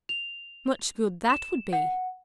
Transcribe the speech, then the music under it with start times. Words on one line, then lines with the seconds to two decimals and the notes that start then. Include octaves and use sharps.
"Much good that would be!"
0.09 F7
1.30 E7
1.73 F#5